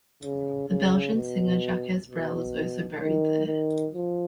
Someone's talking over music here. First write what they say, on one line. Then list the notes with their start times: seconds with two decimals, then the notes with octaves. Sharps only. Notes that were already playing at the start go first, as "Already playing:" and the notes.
The Belgian singer Jacques Brel is also buried there.
0.23 C#3
0.69 C#3
1.15 B2
2.08 B2
3.01 D#3
3.47 D#3
3.94 F3